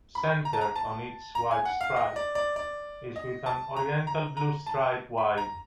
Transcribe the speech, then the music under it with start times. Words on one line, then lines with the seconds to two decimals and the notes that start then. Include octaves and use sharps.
Centered on each white stripe is with an oriental blue stripe wide.
0.15 B5
0.45 A#5
0.53 A5
0.61 A#5
0.76 A5
1.35 A#5
1.51 G#5
1.65 F#5
1.81 F5
1.96 D#5
2.16 D5
2.35 D5
2.56 D5
3.16 D#5
3.46 A5
3.76 A#5
4.07 A#5
4.37 A#5
4.66 A5
5.18 B5
5.38 A#5